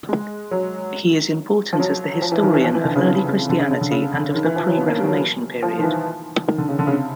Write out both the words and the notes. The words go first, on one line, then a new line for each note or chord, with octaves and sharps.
He is important as the historian of early Christianity and of the pre-Reformation period.
G#3
F#3
F3
F#3
F3
E3
D#3
E3
F3
E3
D3
C#3
C3
C#3
D3
C#3
C#3
D3
C#3
D3
D#3
E3
F3
F#3
B3
A#3
G3
F#3
F3
D#3
E3
D#3
D3
C#3
D3
C#3
C3